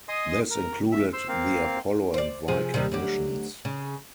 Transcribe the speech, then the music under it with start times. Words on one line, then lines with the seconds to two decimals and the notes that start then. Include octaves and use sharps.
This included the Apollo and Viking missions.
0.09 D#5 G#5 C6 D#6
0.51 A#4
0.92 E5
1.13 C5 C6 E6
1.28 A#3 C4 F5
2.14 C5 D5
2.48 C3 F3 G#4
2.74 C3 D#3 G3
2.92 D2 F#3 G4
3.65 C#3